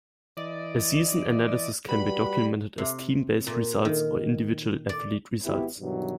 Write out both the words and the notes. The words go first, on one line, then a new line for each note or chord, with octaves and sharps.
A season analysis can be documented as team-based results or individual athlete results.
E3 D5 D#5
G3 F#4 B4 B5
C3
A#2
D#3
D5
G#1 B3 E4 F#4 G4
G2 B2 D#3 E3 F#3